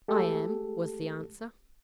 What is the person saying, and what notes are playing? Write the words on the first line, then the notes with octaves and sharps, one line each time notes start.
"I am," was the answer.
G#3 A3 G4 A4